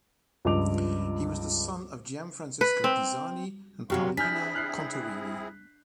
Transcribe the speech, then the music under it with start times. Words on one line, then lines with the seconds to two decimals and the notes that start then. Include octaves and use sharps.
He was the son of Gianfrancesco Pisani and Paolina Contarini.
0.45 C#2 G2 F3 D#5 D6 F7
2.61 B4
2.84 C4
3.90 G2 C3 F#3 F#4 G4 F5 C6 C#6
4.17 C4 D4 E4 G#4 G#5 F6 G6 B6
4.54 F6 F#6 C7